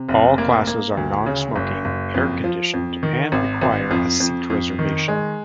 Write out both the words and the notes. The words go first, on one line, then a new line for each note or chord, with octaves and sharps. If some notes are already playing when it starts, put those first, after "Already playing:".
All classes are non-smoking, air conditioned, and require a seat reservation.
Already playing: C3
F1
A#3
A#3
D2
C#3
F#1
F#1
F2
F3
F2
D#3
G#1
G#1
F2
F2
F2
D#3
G#3